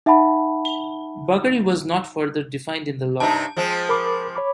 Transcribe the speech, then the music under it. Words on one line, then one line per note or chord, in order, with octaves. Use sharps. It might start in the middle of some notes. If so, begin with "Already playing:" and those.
"Buggery" was not further defined in the law.
D#4 E5 F#5 A5 B5
G2 C3 D#4 A5
F3 G#3 C4
A#4 B5 D6
C#5 B5 D6